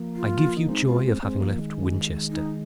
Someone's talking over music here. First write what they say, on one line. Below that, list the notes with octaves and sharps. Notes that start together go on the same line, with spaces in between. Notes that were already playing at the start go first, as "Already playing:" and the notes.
I give you joy of having left Winchester.
Already playing: F3 A#3
F4
D#4
G#3 C4 D#4
F4
G#3 C4
F3 A#3
D#3 G#3
D#4